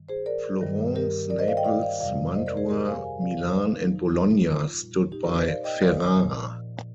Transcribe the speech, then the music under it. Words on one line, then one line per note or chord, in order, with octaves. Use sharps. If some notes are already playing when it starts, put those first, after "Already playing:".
Florence, Naples, Mantua, Milan, and Bologna stood by Ferrara.
Already playing: G2 D#3 G3
G#4 C5
A#4 D5
G2 D#3 G3
G4 A#4
A#4 D5
C5 D#5
D5 F5
D#5 G5
D5 F5
D5 F5
F2 C3 G3 D5 F5
C5 D#5
A#4 D5
G#4 C5
G4 A#4
F5 G#5
F5 G#5
D5 F5
F5
G2 F3 C5 D#5
D#4
D#4
F4
A#2 G3
D#4 G4
A#4 D5
C5 D#5
D5 F5
D#5 G5
D5 F5
A#2 F3